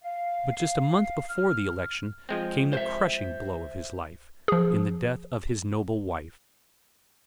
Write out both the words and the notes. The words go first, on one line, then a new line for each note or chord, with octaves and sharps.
But just a month before the election came the crushing blow of his life, in the death of his noble wife.
F5
F6
F3 G#3 C4
C5 E5
F3 G#4